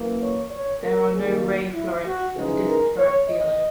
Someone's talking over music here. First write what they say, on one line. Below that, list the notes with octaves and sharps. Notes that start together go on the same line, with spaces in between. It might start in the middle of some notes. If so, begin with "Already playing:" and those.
There are no ray florets and the disc florets are yellow.
Already playing: F#2 E3 A#3
C#5
C#5
A#4
D#2 D#3 A#3 G#4
F#4
E4
F#4
C#3 E3 G#3 D#4 G#4
A#4
C#5
D#5